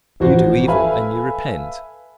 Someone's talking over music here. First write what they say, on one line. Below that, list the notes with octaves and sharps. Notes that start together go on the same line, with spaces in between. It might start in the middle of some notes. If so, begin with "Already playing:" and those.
You do evil, and you repent?
A1 F3 F#4 C5
A4 B4 E5 F5 G#5 B5